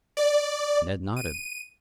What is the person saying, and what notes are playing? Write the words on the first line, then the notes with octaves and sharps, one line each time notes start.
Ned nodded.
D5
D#7